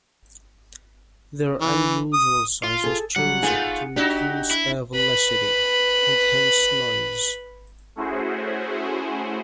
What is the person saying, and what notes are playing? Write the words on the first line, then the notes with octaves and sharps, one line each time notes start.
Their unusual size was chosen to reduce air velocity and hence noise.
E3
D#6
F4
G#4 A4
F#3 G3 F#5
A3 B3 D#4 F4 G#4
D4 D#4 F#4 G4
E4
B4 B5
A3 C#4 E4 F#4 G#4 C5